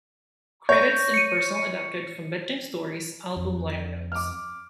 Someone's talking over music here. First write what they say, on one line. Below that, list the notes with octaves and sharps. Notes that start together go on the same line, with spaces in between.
Credits and personnel adapted from "Bedtime Stories" album liner notes.
C#5 G6 A#6
C#7 D#7
F2
D6 F6